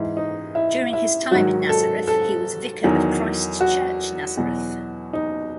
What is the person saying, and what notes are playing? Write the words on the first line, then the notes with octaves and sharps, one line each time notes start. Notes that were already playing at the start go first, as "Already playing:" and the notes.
During his time in Nazareth he was vicar of Christ Church, Nazareth.
Already playing: G#2 E3 E4
D#4
E4
E4
G#2 D#3 F#3 F#4
A4
A4
E2 D#3 F#3
F#4
E2 B2 F#3
D#4